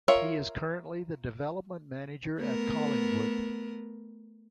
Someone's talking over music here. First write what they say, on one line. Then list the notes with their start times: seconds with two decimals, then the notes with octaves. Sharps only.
He is currently the development manager at Collingwood.
0.08 F4 A#4 C#5 E5
2.39 A3 B3 A#4